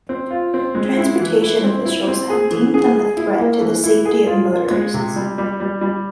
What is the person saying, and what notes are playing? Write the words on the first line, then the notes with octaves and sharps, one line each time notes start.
Transportation officials have deemed them a threat to the safety of motorists.
C4
F4
C4
G#3
E4
E3
E4
C4
E4
C4
G#4
E3
G#4
G#4
E4
A#3
E3
E4
G#4
F4
F4
G#3
C3
G3
G3
G3
G3